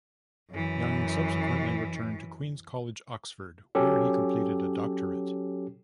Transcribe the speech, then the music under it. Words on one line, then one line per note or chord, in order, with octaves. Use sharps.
Young subsequently returned to Queen's College, Oxford, where he completed a doctorate.
F#2 E3
F#3 C#4 G4 A4